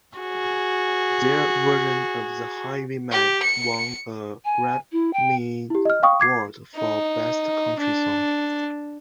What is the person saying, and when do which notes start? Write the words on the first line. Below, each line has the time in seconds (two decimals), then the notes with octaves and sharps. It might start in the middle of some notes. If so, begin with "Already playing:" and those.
Their version of "The Highwayman" won a Grammy Award for Best Country Song.
0.20 F#4 G#4
3.11 G4
3.43 C#7
4.45 G#5
4.92 E4
5.13 G5
5.70 E4 G4
5.85 D#5 F6
6.03 F5 G5 C#6 D#6
6.20 D6 G#6 C7
6.76 D#4
7.79 D4